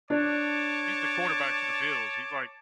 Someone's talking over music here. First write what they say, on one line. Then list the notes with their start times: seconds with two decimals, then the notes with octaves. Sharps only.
He's the quarterback for the Bills. He's, like
0.10 D4 C#5 A5 D6